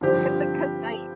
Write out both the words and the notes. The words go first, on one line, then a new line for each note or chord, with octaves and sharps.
'Cause I 'cause I,
G2 D3 F3 C4 G4